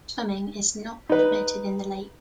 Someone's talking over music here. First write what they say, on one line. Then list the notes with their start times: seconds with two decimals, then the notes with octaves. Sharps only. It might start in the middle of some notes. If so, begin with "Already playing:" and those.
Swimming is not permitted in the lake.
1.09 D#4 B4